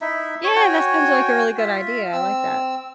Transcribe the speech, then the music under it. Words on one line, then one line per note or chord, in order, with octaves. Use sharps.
Yeah, that sounds like a really good idea, I like that.
D#4 E4 E5
C#5
F#4 C#5 G5 G#5
F4 E5
C4 E6